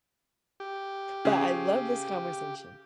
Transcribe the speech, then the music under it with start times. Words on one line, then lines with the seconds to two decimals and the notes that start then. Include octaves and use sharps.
but I love this conversation.
0.60 G4
1.25 C#3